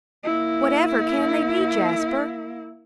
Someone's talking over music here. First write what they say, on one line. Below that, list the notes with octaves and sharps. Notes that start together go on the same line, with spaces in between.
"Whatever can they be, Jasper?"
A#3 E4